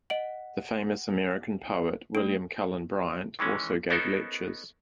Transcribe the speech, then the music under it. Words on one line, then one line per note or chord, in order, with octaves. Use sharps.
The famous American poet William Cullen Bryant also gave lectures.
D#5 F#5 D7 F#7
A3 D4 D7
D#3 E3 G#3 C#4
B3 C#4 D#4 A4 A#4 C5